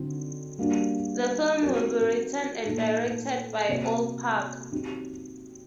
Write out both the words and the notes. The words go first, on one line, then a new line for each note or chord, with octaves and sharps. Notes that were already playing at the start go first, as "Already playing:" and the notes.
The film will be written and directed by Ol Parker.
Already playing: D3 F#3 C4 D#4
G3 A#3 D4 F#4
F#3 C4 D#4 G4 A#4
A#2 A3 D#4 A4
C3 F#3 A#3
F#3 C4 D#4 G4